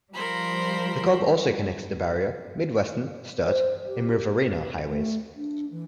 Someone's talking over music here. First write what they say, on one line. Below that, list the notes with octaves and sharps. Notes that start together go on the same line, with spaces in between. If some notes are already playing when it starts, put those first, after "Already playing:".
The Cobb also connects the Barrier, Mid-Western, Sturt, and Riverina highways.
F3 G3 A#4 C5 B5
C5
G4
B4
A3
D4
E3